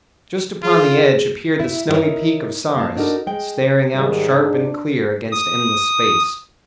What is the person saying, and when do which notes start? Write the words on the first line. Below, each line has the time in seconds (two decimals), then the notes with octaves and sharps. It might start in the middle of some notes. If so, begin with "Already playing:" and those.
Just upon the edge appeared the snowy peak of Saris, standing out sharp and clear against endless space.
0.63 F4 G#4
1.59 E4 E5
1.89 B3 D#4 E4 A#4 C#5
2.76 A#3 F5 A5
2.96 D4 D#4 F#4 A4 A#4
3.27 G#3 G5
3.94 G#2 D#3 G3
4.38 D4
5.32 D#6